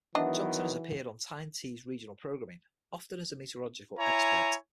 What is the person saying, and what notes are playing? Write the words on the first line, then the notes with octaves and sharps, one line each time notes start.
Johnson has appeared on Tyne Tees' regional programming, often as a metrological expert.
D#3 E3 F#3 B3 D4 D#5 E5 F#5
E4 C#5 G#5 A#5